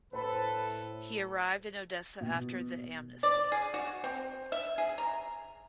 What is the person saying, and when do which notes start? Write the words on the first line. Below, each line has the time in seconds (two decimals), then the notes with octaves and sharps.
He arrived in Odessa after the amnesty.
0.13 A2 A4 B4 C5 B5
2.21 B2
3.23 D5
3.52 G#4
3.74 F#4
4.04 C4
4.52 E5
4.78 G#4
4.98 A#5